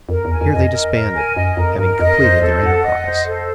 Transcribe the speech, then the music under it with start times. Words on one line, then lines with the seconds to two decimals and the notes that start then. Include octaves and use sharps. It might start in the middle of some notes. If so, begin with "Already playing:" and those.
Here they disbanded, having completed their enterprise.
0.09 F2 A#4
0.25 E2
0.31 G#5
0.41 F2
0.51 D#5
0.57 F2
0.72 A#4
0.94 A#4
1.15 G#5
1.36 F#2 D#5
1.57 F2 A#4
1.78 G2 A#4
1.99 F2 D#5
2.21 F#2 C5
2.42 E2 A4
2.63 F2 F#5
2.84 D#5
3.06 C5
3.26 A4